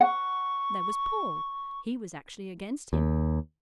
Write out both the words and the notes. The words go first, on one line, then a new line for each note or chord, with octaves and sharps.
There was Paul; he was actually against Him.
F#5 C#6
D#2